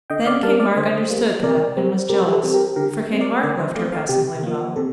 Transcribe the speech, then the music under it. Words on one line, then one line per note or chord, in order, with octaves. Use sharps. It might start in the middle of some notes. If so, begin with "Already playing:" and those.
Then King Mark understood that and was jealous, for King Mark loved her passingly well.
D3 D#5 G5
D5 F5
G3 A#3 F5 A5
D5 F5
D3 C5 D#5
G3 A#3
C3 A#4 D5
G3 C4
C3 G4 A#4
G4
A4
G3 C4
G4 A#4
D3 G4 A#4
A3 C4
A#4 D5
D3 A#4 D5
C5 D#5
A3 C4 D5 F5
D5 F5
C3 G4
F3 A#3
C3 A4